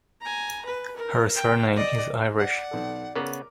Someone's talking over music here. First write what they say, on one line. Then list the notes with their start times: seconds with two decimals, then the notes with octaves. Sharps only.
Her surname is Irish.
0.21 G#5 A#5
0.66 B4
0.96 A#4
1.36 G5
1.76 D5 D#5
2.39 D5 F#5
2.71 B1 A4
3.15 C#3 B3 A#4 D6